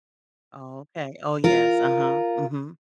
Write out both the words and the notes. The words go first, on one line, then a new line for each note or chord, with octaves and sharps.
Oh okay oh, yes, uh-huh, mhm.
F4 A#4